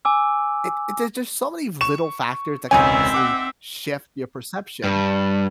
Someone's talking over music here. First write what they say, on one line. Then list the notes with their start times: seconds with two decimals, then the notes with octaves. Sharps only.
it it there's just so many little factors that could easily shift your perception.
0.05 G#5 D6 E6
1.81 C#6 E7
2.71 E1 C#2 C4 C#4 D#4 E5 G#5
3.14 F#5 D6
4.84 G2